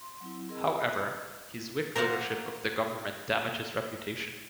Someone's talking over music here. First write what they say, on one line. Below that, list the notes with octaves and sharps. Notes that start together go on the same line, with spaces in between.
However, his weak leadership of the government damaged his reputation.
C6
F#3 C4 E4
C4 G#4 A#4 D#5 E6
F4 D5 B5 D6
A#4 C5 D5 F5 F#5